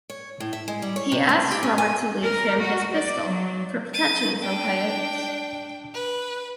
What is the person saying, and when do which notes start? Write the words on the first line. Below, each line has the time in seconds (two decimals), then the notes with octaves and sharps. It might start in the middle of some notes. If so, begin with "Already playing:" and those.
He asks Robert to leave him his pistol, for protection from coyotes.
0.10 C#5
0.40 A2
0.53 E5
0.68 G#3
0.82 G3
0.96 C#5
1.12 C3
1.29 A3
1.51 G4
1.63 C#4
1.78 G#5
2.23 A#4
2.59 F#4
2.94 D5
3.27 F#3
3.94 A6 D#7
4.40 D4 G5
5.94 B4